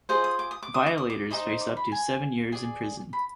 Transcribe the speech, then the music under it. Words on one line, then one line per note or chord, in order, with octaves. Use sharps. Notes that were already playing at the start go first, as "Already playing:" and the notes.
Violators face up to seven years in prison.
F4 G#4 C5 D#5
D#6
D6
D#6
D6
D#6
D6
D#6
D6
D#4 G#4 C5 D#5
D6
B5
G#5
G#4 D5 G#5
B5